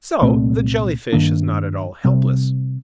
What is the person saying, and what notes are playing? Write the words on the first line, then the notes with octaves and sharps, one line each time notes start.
So the Jelly-fish is not at all helpless.
C2 A#2 A3 C4
G2 D#3 A#3 D4
C3 G3 C4